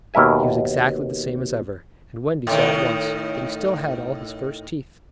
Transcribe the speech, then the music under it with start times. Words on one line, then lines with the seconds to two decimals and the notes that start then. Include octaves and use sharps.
He was exactly the same as ever, and Wendy saw at once that he still had all his first teeth.
0.14 D#2 B2 A#4 E5 G#5
2.47 A2 D#3